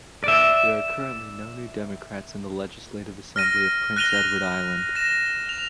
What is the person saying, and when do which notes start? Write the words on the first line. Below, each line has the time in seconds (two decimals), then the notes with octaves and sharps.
There are currently no New Democrats in the Legislative Assembly of Prince Edward Island.
0.24 D5 E5
3.36 F6 A#6 D#7
3.96 F#6 A#6 D#7 F7 G7
4.95 A#6 E7
5.49 F7